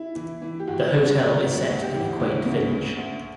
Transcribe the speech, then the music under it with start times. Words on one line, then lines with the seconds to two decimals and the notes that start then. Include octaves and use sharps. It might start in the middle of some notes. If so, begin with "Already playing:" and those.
The hotel is set in a quaint village.
Already playing: E4
0.15 E3
0.42 E3
0.60 G4
0.68 G1 F#4
0.92 G2
1.06 F#4
1.18 G2
1.43 D2 F#4
1.69 D2
1.82 G4
1.95 E3
2.20 D2
2.46 C#3
2.72 D2
2.97 D2